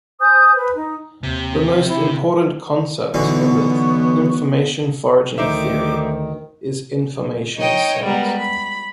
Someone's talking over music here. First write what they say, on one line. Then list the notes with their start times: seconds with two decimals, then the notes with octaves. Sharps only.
The most important concept in the information foraging theory is "information scent".
0.21 C5 G#5 D#6 G6
0.56 B4
0.75 D#4
1.23 D#2 C3
1.89 E4
3.14 B1 B2 D3 E3 B3 C#6
5.38 D2 D#3 D#4 C5 E5 D6
7.58 D#4 C#5 D#5 G5
8.03 G3 G#3 B3 A#4
8.36 B5